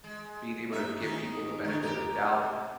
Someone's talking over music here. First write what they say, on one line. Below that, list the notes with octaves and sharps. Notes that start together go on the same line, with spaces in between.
being able to give people the benefit of the doubt,
G#3
A2 D#4 E5
D#3 C#4 D#4
D3 D#3 A3
G4 A#4
C3